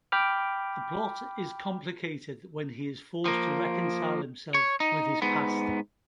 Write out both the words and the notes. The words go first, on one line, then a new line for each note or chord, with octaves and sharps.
The plot is complicated when he is forced to reconcile himself with his past.
G5 B5 D6 F6
F3 A#3
C#5
D#4
G#2 B3